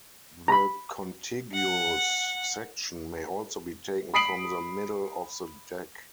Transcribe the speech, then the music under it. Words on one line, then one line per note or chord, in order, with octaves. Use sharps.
The contiguous section may also be taken from the middle of the deck.
A#5 B5
F#5
B5 D#6 B6 C7 D7 F#7